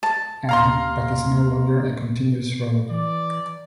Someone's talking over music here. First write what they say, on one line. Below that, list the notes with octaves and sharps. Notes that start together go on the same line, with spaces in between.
Anne, but is no longer a continuous road.
A5
D#2 F5 A#5 C6
E3 D5